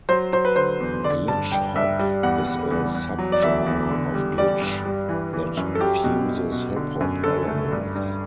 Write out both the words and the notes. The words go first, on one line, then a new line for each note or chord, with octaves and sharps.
Glitch hop is a subgenre of glitch that fuses hip hop elements.
F#3 C5
F#3 C5
B4
D3 C5
E2
D3 D5
G2 A5
G2 G5
G2 E5
G3
E2 F#5
E2
E2
E2
F#3
D5
E2 E5
E2
D3
G3
G3 D5
G2
G3
E3
E3
F#2
A4
F#3 G4
B2
B2
B2
D3
F#2
D3 A4
A3
G2
G2